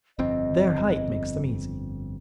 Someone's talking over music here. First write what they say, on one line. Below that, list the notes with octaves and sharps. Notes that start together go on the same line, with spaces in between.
Their height makes them easy.
G1 F2 C4 D#5